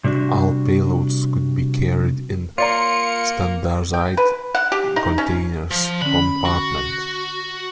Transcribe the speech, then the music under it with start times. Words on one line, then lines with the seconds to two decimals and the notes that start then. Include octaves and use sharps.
All payloads could be carried in a standardised container compartment.
0.04 C3 G3 D4 F#4
2.58 A#3 F4 C#5 D5 A#5 C#7
3.94 G5
4.17 B4
4.55 F#5
4.72 G4
4.96 D#4
5.18 C#4
5.71 F3
6.02 D3 C#4 B5
6.45 F#4